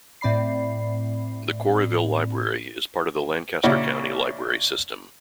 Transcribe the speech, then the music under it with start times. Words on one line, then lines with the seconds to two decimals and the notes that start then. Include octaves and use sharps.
The Quarryville Library is part of the Lancaster County Library System.
0.21 A2 C4 D5 B5 C7
3.63 A#2 C#3 D4 E4 F#4